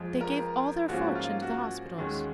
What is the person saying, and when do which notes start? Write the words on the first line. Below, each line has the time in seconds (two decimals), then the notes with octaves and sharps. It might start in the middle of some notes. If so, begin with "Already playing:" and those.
"They gave all their fortune to the hospitals."
Already playing: F2 F3 G#3
0.21 A#4
0.88 G#2 F3 A#3 C#4 F#4
1.15 F4
1.42 F#4
1.97 D#2 D#3 G#3 C#4